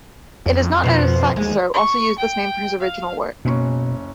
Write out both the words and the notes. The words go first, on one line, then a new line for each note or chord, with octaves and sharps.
It is not known if "Saxo" also used this name for his original work.
F2
B2 F3
D#2 G#3
C#6
G5
F5
F#1 B2 C#4 C#6